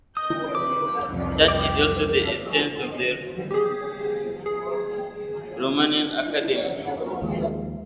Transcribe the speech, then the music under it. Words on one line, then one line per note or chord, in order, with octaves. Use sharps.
Such is also the stance of the Romanian Academy.
D#5 D#6 G6 A#6
C3 B4 D6
C2 F2 E3
D5 G5
G4 G#4
G#4
D#2 F3 G#3